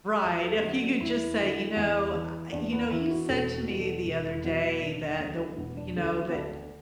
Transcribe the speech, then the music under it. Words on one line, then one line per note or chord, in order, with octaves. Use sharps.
Right, if you could just say, you know, I you know, you said to me the other day that the w you know, that
E2 F#4
A4
D4
D3 F#3 B3
D4
E2 E4
D3 F#3
E2
E3
E2 D4
B3
E3 E4
F#4
E1 A4
F#4
E2 B2 F#3
A4
E1
E4
E2 B2 F#3 F#4
E4
E1 D4
D2 D3 F#3
F#4
E4
E1 B3
D4
D2 D3 F#3 A4
F#4
B3
D2 D4